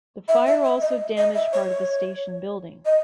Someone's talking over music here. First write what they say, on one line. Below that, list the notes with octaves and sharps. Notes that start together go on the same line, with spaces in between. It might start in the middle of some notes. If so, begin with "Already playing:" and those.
The fire also damaged part of the station building.
E5
E5
E5
D#5
D#5
E5
C#5
C#5
D#5